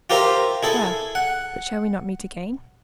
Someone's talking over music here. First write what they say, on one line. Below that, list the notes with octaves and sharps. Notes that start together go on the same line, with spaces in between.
"Well, but shall we not meet again?"
F4 G4 A#4 C5 E5
E4 G#4 A4
F#5